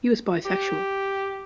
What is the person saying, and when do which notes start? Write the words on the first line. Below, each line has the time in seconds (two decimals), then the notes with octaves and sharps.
He was bisexual.
0.46 G4